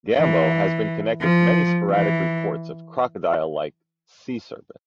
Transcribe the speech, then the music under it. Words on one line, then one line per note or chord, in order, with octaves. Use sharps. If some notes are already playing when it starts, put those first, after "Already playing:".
"Gambo" has been connected to many sporadic reports of crocodile-like sea serpents.
E3
F3
E3